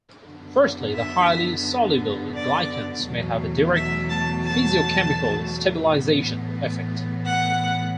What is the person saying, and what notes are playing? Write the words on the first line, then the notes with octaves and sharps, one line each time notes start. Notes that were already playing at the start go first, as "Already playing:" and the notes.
Firstly, the highly soluble glycans may have a direct physicochemical stabilisation effect.
F#2 D3 B3
E5
D5
E2 B2 F#3 A3
E5
A5
A5
A2 E3 B3
F#5